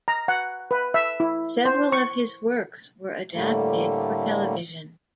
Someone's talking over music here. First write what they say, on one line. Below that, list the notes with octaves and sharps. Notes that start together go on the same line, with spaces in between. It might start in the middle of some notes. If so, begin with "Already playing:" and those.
Several of his works were adapted for television.
A#5
F#5
B4
E5
E4
C5
C#6
A2 D3 G3 A3 A#3